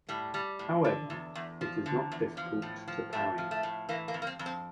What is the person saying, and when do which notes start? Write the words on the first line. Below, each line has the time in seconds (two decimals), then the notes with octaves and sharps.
However, it is not difficult to parry.
0.09 A2 G3
0.34 G3
0.59 A2
0.84 D3
1.10 E2
1.35 E2
1.61 F3
1.86 D3
2.12 E2
2.37 F3
2.62 A2
2.88 F3
3.13 A2 A3
3.38 F3
3.51 A3
3.63 A2
3.89 E3 A#3
4.08 A#3
4.14 F2
4.22 A#3
4.27 C4
4.39 F2
4.46 C4